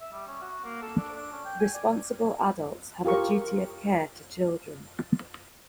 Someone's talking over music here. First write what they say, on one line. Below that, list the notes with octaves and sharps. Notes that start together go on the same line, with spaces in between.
Responsible adults have a duty of care to children.
E5
G3
C#4
F#4
A#3
A4
D4
D4
C#4
G5
G#5
D5
F4 G4 A#4 C#6